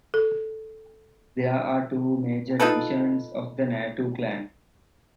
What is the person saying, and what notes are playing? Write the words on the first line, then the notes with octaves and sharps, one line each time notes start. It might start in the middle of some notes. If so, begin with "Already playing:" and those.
There are two major divisions of the Natu clan.
A4
D#4 F4 A4 B4